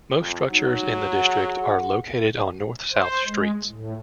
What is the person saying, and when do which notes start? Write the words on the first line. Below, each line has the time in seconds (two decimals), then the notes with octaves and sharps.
Most structures in the district are located on north-south streets.
0.19 F2
0.49 F#3 D#4
1.13 G#4 F#5
2.91 C5
3.24 G#3
3.67 A2